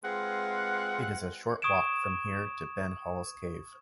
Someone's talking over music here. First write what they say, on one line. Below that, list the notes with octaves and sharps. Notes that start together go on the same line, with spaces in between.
It is a short walk from here to Ben Halls Cave.
G#3 C4 F4 B4 F#5
C#6 D#6 G#6 D7 E7